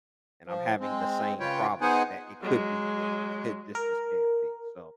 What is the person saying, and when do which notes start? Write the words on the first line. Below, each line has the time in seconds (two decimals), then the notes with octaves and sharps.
and I'm having the same problems, that it could be them." It just just can't be, so,
0.47 F3
0.80 G#3 C4
1.40 C#3 F4 B4 C#5 G5
1.81 B3 D#4 G#4 C5 F#5 G#5
2.41 F#3 G#3
3.75 A#4